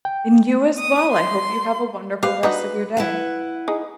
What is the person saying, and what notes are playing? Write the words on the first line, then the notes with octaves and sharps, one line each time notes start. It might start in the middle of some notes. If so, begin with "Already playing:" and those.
And you as well, I hope you have a wonderful rest of your day.
G5
D#6
C6
G4 B4 C5 F5
D4 D#4 F#4 B4
E4 B4 F#5
D#4 G#4